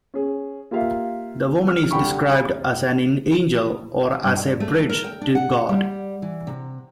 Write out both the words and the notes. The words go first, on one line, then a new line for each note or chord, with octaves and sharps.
The woman is described as an 'angel' or as 'a bridge to God'.
C#4 G#4
A#3 F4 G4 E5 F5
F6
C2 D3 G5 B5 C#6
C#5 B5
G2
A3
A#4
G5
D4
F#5
G3
E3
C3